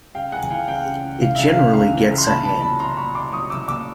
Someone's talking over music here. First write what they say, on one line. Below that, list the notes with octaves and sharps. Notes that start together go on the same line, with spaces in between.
It generally gets a hand.
C#3 F5 G5
C#2 F#5 G#5
G#5
E3 F5 G5
C#2 F5 G5
C#3
C#2
E3 F5
C#2 E5
F5
C#3
C#2 F5
E3
C#2
C6
A#2 A5 B5
C2 A5 B5
F#3 A5 B5
C2 A#5 C6
A#2 B5 C#6
C2 C6 D6
F#3 C#6 D#6
C2 D6 E6
A#2 D6 E6